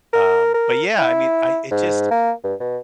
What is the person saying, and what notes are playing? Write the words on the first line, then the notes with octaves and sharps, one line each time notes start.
Um, but yeah, I mean, I it just
A#4
A#4
E4
G#2
A#3
G2
B2